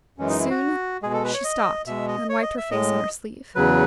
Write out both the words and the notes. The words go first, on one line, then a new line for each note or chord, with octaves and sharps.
Soon she stopped and wiped her face on her sleeve.
F#2 E3 G#3 C#4
D#4
E4
F#4
B2 G#3 G#4
A4
B4
C#5
D#5
B2 G#3 E5
D#5
C#5
D#5
E5
A2 G#3 D#5
E2 C#3 F#3 B4